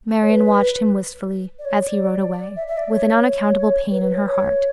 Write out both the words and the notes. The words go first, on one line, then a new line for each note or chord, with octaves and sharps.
Marian watched him wistfully as he rode away, with an unaccountable pain in her heart.
C#5
B4
D5
C#5
D5
E5
E5
D5
C#5
B4
B4
C#5
C#5